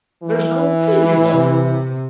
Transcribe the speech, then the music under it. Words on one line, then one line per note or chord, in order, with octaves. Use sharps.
There's no pleasing them!'
E3
C3